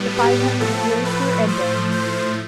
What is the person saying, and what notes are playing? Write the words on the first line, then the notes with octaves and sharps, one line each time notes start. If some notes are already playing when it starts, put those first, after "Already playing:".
The five hundred years were ended.
Already playing: A2 G3 B3
G4
A2 F3 A3 A4
B4
C5
C5